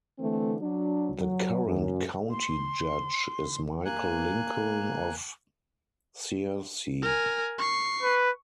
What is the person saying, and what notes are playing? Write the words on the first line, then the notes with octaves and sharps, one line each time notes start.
The current County Judge is Michael Lincoln of Searcy.
D3 E3 A3 C4
F#3 D4
F#3
F#2
C6
A#3 G#5 F#6
A#4 G#5
C#6 C7
B4